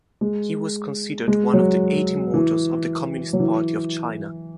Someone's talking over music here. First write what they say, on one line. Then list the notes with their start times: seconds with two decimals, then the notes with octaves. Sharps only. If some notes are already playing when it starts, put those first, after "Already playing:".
He was considered one of the Eight Immortals of the Communist Party of China.
0.21 G#3
1.28 G#3
1.54 F#3
2.34 E3
3.33 F#3
3.40 E3